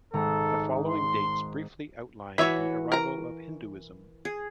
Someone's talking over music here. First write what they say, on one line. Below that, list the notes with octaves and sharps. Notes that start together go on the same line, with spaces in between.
The following dates briefly outline the arrival of Hinduism.
G#1 G#3 A4 A#5
C6
E3 F#4 C#5 E5 B5
A#4 A#5
G#4